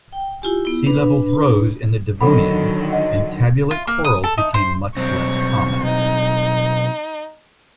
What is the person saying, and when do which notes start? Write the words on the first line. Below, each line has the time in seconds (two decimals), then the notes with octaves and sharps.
Sea levels rose in the Devonian, and tabulate corals became much less common.
0.13 G5
0.42 E4 F4 G4 G#5
0.65 B3 E4
0.87 D4 B4 B5
2.21 D3 D#3 F#3 A4 F#5 B5
2.92 D#5 F#5
3.71 F4
3.87 A#3
4.04 D#6
4.24 A4
4.38 D#4
4.54 C5
4.96 B1 C4 C#6
5.85 D#4